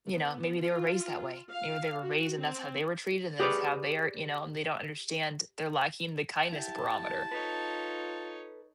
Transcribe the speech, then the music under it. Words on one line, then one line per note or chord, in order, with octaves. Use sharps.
you know, maybe they were raised that way, maybe they were raised and that's how they were treated, and that's how they are, you know, and they don't understand they're lacking the kindness barometer.
B3
F4
F5
F#4
C4
G4 G#4 B4 C#5 D5
E4 G4 A5
D#4 F4 A4 B4 C#5